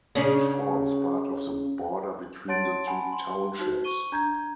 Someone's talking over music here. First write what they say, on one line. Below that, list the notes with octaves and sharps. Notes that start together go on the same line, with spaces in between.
It forms part of the border between the two townships.
C#3 C#4 D4
C#5 F#5 A5 C6 A6 D7
F#5 G#5 A5 B5
C6
D#4 F#4 C5
C#6 D#7 G7
D4 A#5 G6 G#6